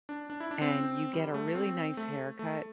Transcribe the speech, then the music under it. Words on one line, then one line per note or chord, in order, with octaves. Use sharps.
and you get a really nice haircut,
D4
D4
E4
D4
C4
G3
A3
C4
A3
A3